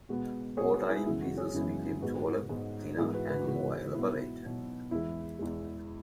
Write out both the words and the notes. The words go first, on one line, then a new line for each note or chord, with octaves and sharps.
Over time, pieces became taller, thinner, and more elaborate.
B2 G#3 B3 F#4
B2 G#3 B3 G#4 C#5
F#4 B4
E4 G#4
F#2 C#3 E3 G#3 B3 E4
F#4
G#4 C#5
F#2 C#3 E3 G#3 B3
G#2 G#3 B3 F#4 B4
G#2 G#3 B3
G#2 E3 G#3 B3 E4 G#4
F#4 B4
F#4 B4
G#2 E3 G#3 B3 F#4
B2 F#3 B3 E4
B2 F#3 B3
E2 E3 G#3 E4
E2 E3 G#3